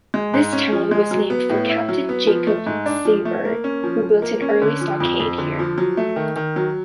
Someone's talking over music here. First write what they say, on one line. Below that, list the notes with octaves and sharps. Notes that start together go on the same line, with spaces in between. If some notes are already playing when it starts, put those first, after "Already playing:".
This town was named for Captain Jacob Seybert who built an early stockade here.
G#3
G#2
C#4
F3
G#3
F#3
B3
A2
E4
F#3
B3
F3
A3
G#2
D4
F3
A3
A#3
C#4
F3
F3
A#3
C#4
D3
F3
F2
F2
D3
F3
F#3
A3
D#3
D#3
F#3